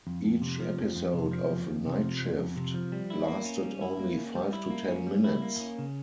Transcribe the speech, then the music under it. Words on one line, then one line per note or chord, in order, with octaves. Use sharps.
Each episode of "Night Shift" lasted only five to ten minutes.
F2
F2
C3
F3
F2
F2
C3
F3
F2
F2
C3
F3
F2
F2
C3
F3
G3
E4
A#3
C#4
G3
E4
A#3
C#4
G3
E4
A#3
C#4
G3
E4
A#3
C#4
C#3